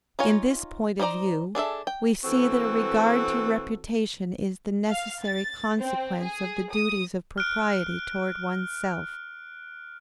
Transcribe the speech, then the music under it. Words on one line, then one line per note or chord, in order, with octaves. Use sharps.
In this point of view, we see that a regard to reputation is the necessary consequence of the duties of propriety toward one's self.
D#4 F4 C#5 G#5
G3 D#4 C5 D5 A#5
D4 G#4 A4 E5
G5
E3 C4 F#4 A4
F5
A6
C4
G#4
D#6
F6 F#6 D7